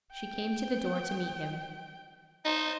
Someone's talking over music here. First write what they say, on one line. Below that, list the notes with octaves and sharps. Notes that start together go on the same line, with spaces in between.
She came to the door to meet him.
G5
D#4 C5